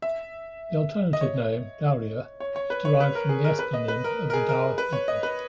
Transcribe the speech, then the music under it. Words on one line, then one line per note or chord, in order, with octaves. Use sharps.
The alternative name, Dauria, is derived from the ethnonym of the Daur people.
E5
D#5
C#5
C#5
C#5
B4
C#5
B4
A#4
G#4
A#4
B4
D#5
B4
A#4
A#4
G#4
A#4
B4
C#5
D#5
B4